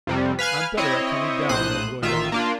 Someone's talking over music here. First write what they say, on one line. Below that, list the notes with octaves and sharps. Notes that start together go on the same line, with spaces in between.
"I'm better at coming down than going up."
F2 C3 G3
B4 F5 G#5 F6
C4 E4 C#5 D#5
A#1 A2 C5 D#6 F#6
A1 D#3 F4 E5
A#3 D4 F4